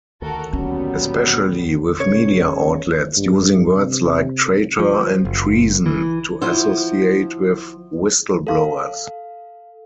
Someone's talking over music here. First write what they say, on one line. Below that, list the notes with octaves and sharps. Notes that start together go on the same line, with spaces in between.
Especially with media outlets using words like "traitor" and "treason" to associate with whistleblowers.
D2 D#3 F#4 A4 A#4
A#2 F#3 G3 B3 C#4
C#3 C#5
G2
C3
F3
F#1
E3
F3 E4 F#4 C5
A4 F5